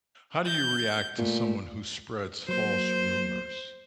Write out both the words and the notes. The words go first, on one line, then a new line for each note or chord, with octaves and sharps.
How do you react to someone who spreads false rumors?
G6
A#2 A3
F#3 A#3 C5